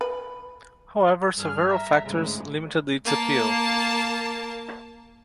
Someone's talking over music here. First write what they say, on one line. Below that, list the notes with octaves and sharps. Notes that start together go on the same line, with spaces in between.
However, several factors limited its appeal.
B4
G2 G#4 F6
E5 A#5
D2 G#2 C#3 G#3
A#3 A5